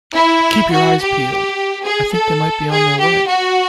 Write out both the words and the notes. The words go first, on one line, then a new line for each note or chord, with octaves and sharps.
Keep your eyes peeled! I think they might be on their way.
E4
F#4
G4
G#4
A4
G#4
G4
F#4